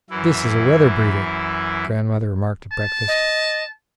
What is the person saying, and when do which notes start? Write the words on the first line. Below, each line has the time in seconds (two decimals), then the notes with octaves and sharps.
"This is a weather-breeder," grandmother remarked at breakfast.
0.10 F#2 E3 E4
2.72 A5
3.08 D#5